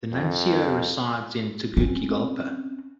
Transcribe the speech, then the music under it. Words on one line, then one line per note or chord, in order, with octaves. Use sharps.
The nuncio resides in Tegucigalpa.
F2
C4 C#4